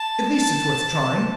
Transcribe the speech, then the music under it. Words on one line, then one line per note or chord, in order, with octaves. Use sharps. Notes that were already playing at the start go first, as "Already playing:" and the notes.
At least it's worth trying.
Already playing: A5
A5